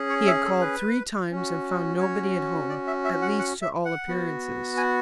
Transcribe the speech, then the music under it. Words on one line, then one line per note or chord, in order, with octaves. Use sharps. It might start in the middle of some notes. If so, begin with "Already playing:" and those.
He had called three times and found nobody at home--at least, to all appearances.
Already playing: C#4 G#4
C#5
E5
A4
B4
C#4 F#4
C#5
D5
E5
E5
F#5
F#5
E5
F#5
B3 F#4
G#5